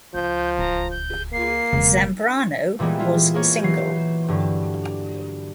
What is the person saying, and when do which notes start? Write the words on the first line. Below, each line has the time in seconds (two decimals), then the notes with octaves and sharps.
Zambrano was single.
0.14 C#2 F3 G6
0.58 D1 A#5
0.91 G6
1.33 A#3 C7
1.73 E1 C#3
2.79 A#2 E3 G3 G#3 B3
2.99 E4 F4
3.34 G#3 A#3 C#5
3.63 E3 F#3 C7
4.28 G2 D3 F#3